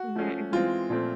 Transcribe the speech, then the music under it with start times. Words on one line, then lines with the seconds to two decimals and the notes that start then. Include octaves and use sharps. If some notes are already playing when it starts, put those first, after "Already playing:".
Mhm, mhm.
Already playing: F#4
0.15 F3 A3 C#4
0.52 E3 G#3 C4 F4
0.90 A#2 F3 A3 C4